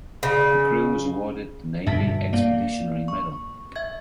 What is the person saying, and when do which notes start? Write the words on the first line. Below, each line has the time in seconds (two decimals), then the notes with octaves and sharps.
The crew was awarded the Navy Expeditionary Medal.
0.23 C#3
1.87 G2 B2 D3 E5 A5 B6
2.33 A#3 D5 F5
3.08 C#6
3.76 E5 G#6